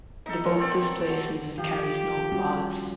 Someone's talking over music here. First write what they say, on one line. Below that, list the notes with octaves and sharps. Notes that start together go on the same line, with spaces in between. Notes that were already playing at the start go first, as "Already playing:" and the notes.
The boat displaces and carries no ballast.
D#4 E4 A4
B3 A#4 C#5
C4 D5
G3 F#4 A4
D#3 F3 G4
G3 C#4 F#4